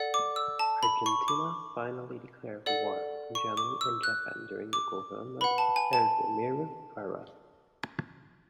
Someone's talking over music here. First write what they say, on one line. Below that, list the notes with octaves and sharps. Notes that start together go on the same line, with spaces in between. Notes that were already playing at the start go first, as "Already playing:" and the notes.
Argentina finally declared war on Germany and Japan during the government of Edelmiro Farrell.
Already playing: A4 D5 F#5
D6
E6
A5
B5
C#6
D6
A4 D5 F#5
C#6
D6
E6
F#6
D6
B4 F#5 B5
A5
G#5
A5